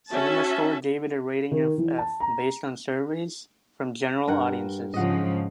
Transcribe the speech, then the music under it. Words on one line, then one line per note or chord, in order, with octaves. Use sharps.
CinemaScore gave it a rating of "F" based on surveys from general audiences.
C#4 F#4 E5 A5
D#3
E3
A5
A#5
G2 A#4 F#5
G#2 C#3 F3 D#5 F#5